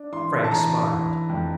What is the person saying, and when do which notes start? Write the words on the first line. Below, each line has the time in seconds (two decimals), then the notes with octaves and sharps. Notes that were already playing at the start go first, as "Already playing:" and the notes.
Frank smiled.
Already playing: D4
0.12 E3 C6
0.44 A5
0.51 E3 A#5
0.90 E3
1.29 F2